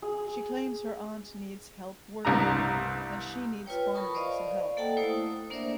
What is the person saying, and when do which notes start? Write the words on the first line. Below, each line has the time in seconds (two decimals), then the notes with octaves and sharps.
She claims her aunt needs help working, and she needs Barnaby to help.
0.02 G#4
2.25 C2 G2 B3 A#5
3.66 F4 B4 C#5 G5
3.94 A#4 A5 B5 C#6 D#6
4.14 C5 D5 D#5 F5
4.77 A#3 A4 F#5 G5 A5
4.97 A3 E4 C5 D#6
5.50 A#3 D4 A#4 C5 D5 E5